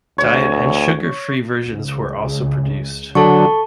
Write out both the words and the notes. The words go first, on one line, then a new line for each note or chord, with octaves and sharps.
Diet and sugar free versions were also produced.
D2 C#5
C#2 C#3
D3 F#3 A4 A5 C#6